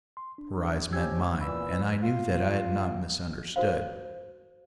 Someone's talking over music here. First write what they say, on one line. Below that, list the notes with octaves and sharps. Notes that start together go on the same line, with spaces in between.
Her eyes met mine and I knew that I had not misunderstood.
C6
D4
F3 C#4 G4 E6 G#6
A#2 E3 B5 E6
F4
F#4 A#4 C5 F5